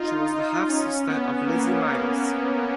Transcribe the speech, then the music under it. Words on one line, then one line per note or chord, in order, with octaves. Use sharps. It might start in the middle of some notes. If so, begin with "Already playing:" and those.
She was the half-sister of Lizzie Miles.
Already playing: D#4 F4
C#4
B3
A#3
A#3